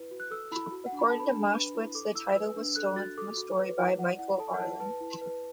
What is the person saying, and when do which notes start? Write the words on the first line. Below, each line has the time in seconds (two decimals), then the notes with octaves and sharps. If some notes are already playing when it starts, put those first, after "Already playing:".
According to Maschwitz, the title was "stolen" from a story by Michael Arlen.
Already playing: E4 B4
0.11 F#4
0.20 F#6
0.31 A4 E6
0.52 E4 B5
0.72 F#4
0.86 F#5
0.92 D4
0.99 B5
1.10 A4 A5
1.20 B5
1.33 D4
1.53 B4
1.75 E4
1.95 A4 D6
2.14 E4 E6
2.35 B4 E6
2.56 D4
2.76 A4 F#6
2.96 F#4 A6
3.18 A4 D6
3.37 F#4
3.58 B4
3.79 E4
3.99 D5 F#5
4.19 E4 F#5
4.39 A4 A5
4.54 F#5
4.60 E4 A5
4.80 B4 A5
5.01 E4
5.22 B4